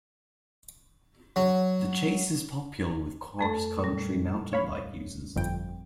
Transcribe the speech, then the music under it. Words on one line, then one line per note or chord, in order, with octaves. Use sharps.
The Chase is popular with cross-country mountain bike users.
F#3
F2 A3 A4
A#2 G3
C#5 F5 B5
G1 F2 G5